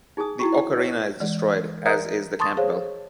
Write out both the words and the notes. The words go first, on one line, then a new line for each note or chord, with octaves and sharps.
The ocarina is destroyed, as is the Campbell.
D#4 G#4 G#5 A5 D#6
D#4 E4 F#4 G5 B5 C#6
C5 F#5 G5
D4 C#5
E3 G#3 D5
A#4 D5 E5 A#5 D#6 F#6
A5 C6 C#6 D#6 A6
G#4 C5 C#5 F5